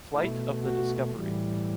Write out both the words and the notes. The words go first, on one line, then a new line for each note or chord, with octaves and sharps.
Flight of the Discovery.
B2 A3 E4
F#4
A2 E3 G3